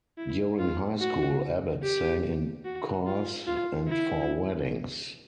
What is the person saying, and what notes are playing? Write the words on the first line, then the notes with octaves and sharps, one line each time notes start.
During High School, Abbot sang in choirs and for weddings.
E4
F4
F#4
G4
F#4
F4
F4
E4